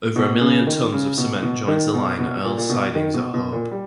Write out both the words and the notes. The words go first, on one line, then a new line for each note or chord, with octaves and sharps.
Over a million tons of cement joins the line at Earle's Sidings at Hope.
B2
C#3
D#3
C#3
B2
B2
D#3
B2
B2
A#2
A#2
B2
D#3
B2
B2
A#2
G3